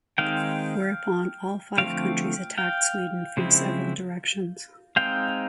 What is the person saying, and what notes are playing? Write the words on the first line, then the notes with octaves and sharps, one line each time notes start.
Whereupon all five countries attacked Sweden from several directions.
D#3 G#3 C4 D#4 F5 G5
D3 F3 A3 C4 F5 G5
F5 G5
C#3 F3 G#3 C4 E4
G#3 C4 D#4 F5 G5